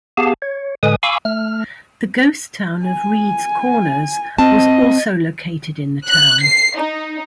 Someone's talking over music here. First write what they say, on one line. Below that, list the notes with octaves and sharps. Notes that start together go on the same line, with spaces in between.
The ghost town of Reeds Corners was also located in the town.
B3 G4 G#4 F5 A5
C#5
A2 D3 G#3 B4 G#5 D#6
F5 G#5 B5 C#6 D6 E6
A3 F6
G#5
C4 D#5 A5
F#6
C7
D#4